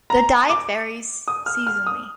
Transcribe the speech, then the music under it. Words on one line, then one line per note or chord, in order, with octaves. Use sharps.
The diet varies seasonally.
A#5
D6
D#6
F6
F6
D#6